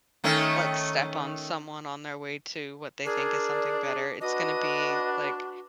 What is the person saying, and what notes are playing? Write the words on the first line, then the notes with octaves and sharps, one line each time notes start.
like, step on someone on their way to what they think is something better. It's gonna be, like
D#3 A3 C#4
D4 G#4 A#4 D5
D4 F#4 B4 D#5